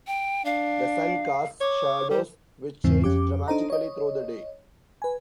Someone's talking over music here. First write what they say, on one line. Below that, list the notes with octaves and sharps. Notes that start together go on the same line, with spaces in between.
The sun casts shadows which change dramatically through the day.
G5
D4 F5
C#5 D6
G3 C5
E2 G#2 C#3 E3 C4
F2 C#4 G4 D6
D4 D#4 A4 C5 D#5 A#5
C#5 D#5
B4 G#5